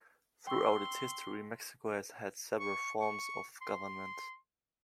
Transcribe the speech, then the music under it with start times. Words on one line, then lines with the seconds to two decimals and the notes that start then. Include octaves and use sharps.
Throughout its history, Mexico has had several forms of government.
0.47 G5 C6 C#6 E6
2.60 C#6
3.01 C#6
3.62 C6